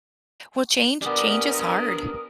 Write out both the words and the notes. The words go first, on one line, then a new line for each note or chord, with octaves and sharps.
Well, change change is hard.
G3 B3 D4 A#4 G#5 D#6